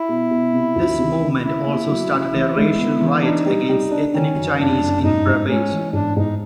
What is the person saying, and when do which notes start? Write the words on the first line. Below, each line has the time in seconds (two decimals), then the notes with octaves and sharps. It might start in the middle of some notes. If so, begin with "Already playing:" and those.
This movement also started a racial riot against ethnic Chinese in Brebes.
Already playing: E4
0.09 B2
0.31 B2
0.53 C3
0.76 D2
0.99 C3
1.21 D#3
1.43 C#3 E4
1.66 A#3
1.89 F#3
2.11 C#3
2.33 E3
2.56 G#3
2.78 B3
3.00 E3
3.23 D4 D#4
3.46 G3
3.69 G3
3.91 D4
4.14 D#3 C#4
4.36 F#2
4.58 F#1 D4
4.80 F#1
5.03 G#2 D#4
5.26 G#2
5.48 G#3 C#4
5.71 E3
5.93 G#2 D4
6.16 G#2 D#4